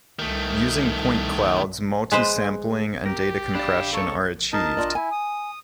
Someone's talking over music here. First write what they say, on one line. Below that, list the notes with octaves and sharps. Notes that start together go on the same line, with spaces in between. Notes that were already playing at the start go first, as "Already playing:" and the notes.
Using point clouds multi-sampling and data compression are achieved.
C2 D#3 A3
G#3 B4 C5
G4 A#4
D4 D5 F5 B5
A4 A#4 C#5 C#6
D#4 A#4 D#5 A5
D4 F4 D5
E4 G#5
D#6